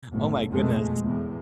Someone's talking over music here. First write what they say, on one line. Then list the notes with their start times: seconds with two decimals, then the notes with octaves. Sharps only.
Oh my goodness.
0.13 F#1 B1 A2 A3
0.51 F2 B2 G#3 A3
1.04 E2 A2